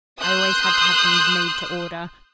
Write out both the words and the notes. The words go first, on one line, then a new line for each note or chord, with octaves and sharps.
"I always had to have things made to order."
C6 D#6 E6 F#6 G6